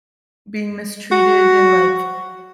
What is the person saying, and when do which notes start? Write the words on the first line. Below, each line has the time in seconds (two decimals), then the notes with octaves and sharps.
being mistreated in, like,
1.12 F#4